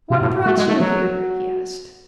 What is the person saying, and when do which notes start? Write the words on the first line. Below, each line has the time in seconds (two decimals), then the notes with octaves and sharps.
"What brought you here?" he asked.
0.10 C3 F#4
0.22 A2
0.46 A3
0.57 G#3
0.68 A3
0.80 F#3 F#4